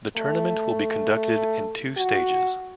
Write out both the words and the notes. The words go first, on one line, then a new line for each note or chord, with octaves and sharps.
The tournament will be conducted in two stages.
A3
F#4